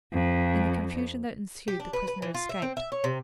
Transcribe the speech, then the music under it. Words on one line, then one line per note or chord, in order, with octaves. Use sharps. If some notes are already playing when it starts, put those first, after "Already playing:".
In the confusion that ensued the prisoner escaped.
F2
G4
D4
B4
B4
E3
F4
E5
C4
E5
C#5
C3